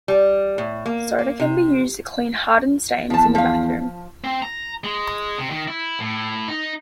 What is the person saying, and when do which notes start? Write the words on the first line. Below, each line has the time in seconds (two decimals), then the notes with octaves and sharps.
Soda can be used to clean hardened stains in the bathroom.
0.08 G3
0.58 A2
0.86 A#3
1.19 A#3
1.40 C3
3.10 E2 F3 A5
3.35 F3 F5
4.24 C4
4.43 A#5
4.84 G#3
5.38 C3
5.50 D#3
5.68 E4
6.00 A2
6.48 D#4